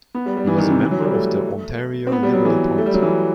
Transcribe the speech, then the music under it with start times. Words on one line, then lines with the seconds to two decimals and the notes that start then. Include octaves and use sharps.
He was a member of the Ontario Liberal Party.
0.15 B3
0.26 G3
0.37 G3
0.47 E3
0.58 D#3
0.70 C3
0.81 E3
0.91 F#3
1.02 G3
1.13 A3
2.07 C4
2.12 B3
2.23 G3
2.33 F#3
2.45 E3
2.78 A3
2.86 G3
2.94 F#3
3.02 E3